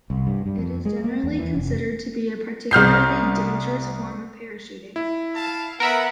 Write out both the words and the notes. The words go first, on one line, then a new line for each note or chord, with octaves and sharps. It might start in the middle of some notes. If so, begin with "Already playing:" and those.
It is generally considered to be a particularly dangerous form of parachuting.
C2
G2
G2
F2
G#3
A#3
E2
E3
F1
C2 F6 G6 C7
E4
F5 A5
B3 A#4 E5 F#5 B5